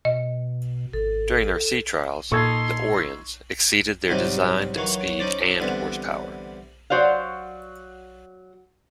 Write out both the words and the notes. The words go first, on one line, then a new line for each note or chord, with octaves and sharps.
During their sea trials, the "Orion"s exceeded their designed speed and horsepower.
B2 D#5
G#1 A4
A#2 D#4 A4 C6 C#6 E6 G#6
G#2 C3 F#3 G3 C4 D#4
D#3 E3 F#3 C#5 F5
C#4 D#4 C5 D5
D3 E3 G3 B3 C4
F#3 F#4 C5 D5 F5